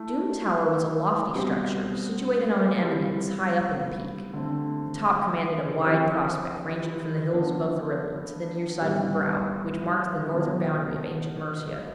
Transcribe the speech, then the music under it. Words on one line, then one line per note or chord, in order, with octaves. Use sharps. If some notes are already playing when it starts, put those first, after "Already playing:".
Doom Tower was a lofty structure, situated on an eminence high up in the Peak. The top commanded a wide prospect, ranging from the hills above the Ribble to the near side of the Brow, which marked the northern bound of ancient Mercia.
Already playing: A3 E4 A4
B2 G3 C4
G3 C4 E4
D3 A3 C4
F3 C4 E4 G4 C5
F3 B3 D4
A2 G3 B3
B2 B3 E4 A4